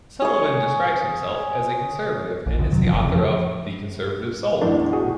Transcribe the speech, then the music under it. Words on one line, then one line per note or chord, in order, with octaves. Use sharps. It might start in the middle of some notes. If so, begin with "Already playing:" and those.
Sullivan describes himself as a conservative and is the author of "The Conservative Soul".
G#4 C#5
A#1
F2 D3 D#3
D1 C3 F#3
F#1 F3
F2 C#3
F3
A1 E2 D4
F#4 G#4